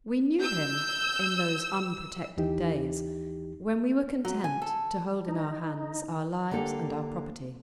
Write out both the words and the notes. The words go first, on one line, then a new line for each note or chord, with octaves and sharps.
We knew him in those unprotected days when we were content to hold in our hands our lives and our property.
E6 G6
D#2 E3 D#4 G4
F#3
G#5
A4
D#4
D3 A#3 G4 A4